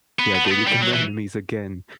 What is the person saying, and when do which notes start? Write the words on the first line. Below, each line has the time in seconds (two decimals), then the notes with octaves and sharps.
Yeah, they become enemies again.
0.19 B3
0.34 B3
0.44 A3
0.50 B3
0.67 G3
0.82 F#3
0.93 E3